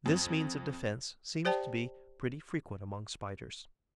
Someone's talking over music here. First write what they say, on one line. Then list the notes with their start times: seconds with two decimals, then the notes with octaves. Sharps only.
This means of defence seems to be pretty frequent among Spiders.
0.06 F2
1.45 G4 C5 D5 G5 A5